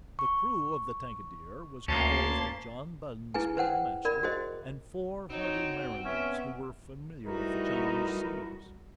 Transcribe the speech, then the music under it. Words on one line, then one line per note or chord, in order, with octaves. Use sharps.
The crew of the Tankadere was composed of John Bunsby, the master, and four hardy mariners, who were familiar with the Chinese seas.
C#6
D2 A#3 C#4 A5 C6
E4 G#4 B4 G#5
B4 C5 F#5 G5
A#4 D5 B5
F#4 G#4 C5 D#5
C4 D#4 F#4 C#5
B3 C#4 E5
G3 A3 D#4 E4 F#4 A#4 B4